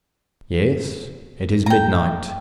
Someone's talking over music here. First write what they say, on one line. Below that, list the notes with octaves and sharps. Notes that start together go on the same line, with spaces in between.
"Yes, it is midnight."
G5 A#5